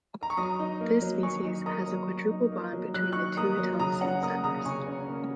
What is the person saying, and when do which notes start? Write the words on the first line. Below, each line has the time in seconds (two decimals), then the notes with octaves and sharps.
This species has a quadruple bond between the two tungsten centers.
0.23 A#5
0.30 C#6
0.37 F#3 A#5 D#6
0.60 D#4
0.81 A#3
1.02 F#3
1.23 F#3 G#5 C#6
1.44 D#4
1.66 A#3 A#5 D#6
1.88 F#3
2.09 F#3
2.31 D#4
2.52 A#3
2.73 F#3
2.94 F#3 F#6
3.12 C#6 F#6
3.16 D#4
3.37 A#3 A#5 D#6
3.58 F#3
3.80 C#3 A#5 D#6
4.01 C#4 F#5 A#5
4.22 A#3 A#5 D#6
4.44 C#3 A#5 D#6
4.65 C#3 G#5 C#6
4.87 C#4
5.08 A#3